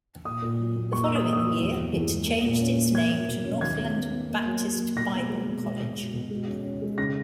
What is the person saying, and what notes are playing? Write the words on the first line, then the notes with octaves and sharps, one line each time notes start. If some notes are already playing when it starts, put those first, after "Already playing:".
The following year, it changed its name to Northland Baptist Bible College.
A#2 D#6
A#2
F#3
A#2
A#3 C#6
E6
A#3
D#6
A#3
D#6
E6
F#3
E2
E2
E2
G#3
A#3
A#2
C#4
A#3
A#3 G#6
A#3
B2
C#4
D#2 G#6
B3
B3
B3
A#3
F#3
F#3
A#3
B2 A#6
B3
G#3
B2
G#3
B2
G#3
B2
G#3
C#4
C#4
G#3
C#3 A#6